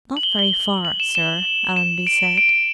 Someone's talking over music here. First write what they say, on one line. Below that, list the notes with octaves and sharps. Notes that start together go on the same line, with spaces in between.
"Not very far, sir," Allenby said.
F#7
G7
G7
F#7
E7
E7
E7
D7
D7